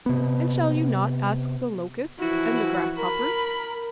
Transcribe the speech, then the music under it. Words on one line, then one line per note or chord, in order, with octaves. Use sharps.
"And shall you not ask the Locusts, and the Grasshoppers?"
C3 B3
E3 F3 E4 F#4
A#4 B5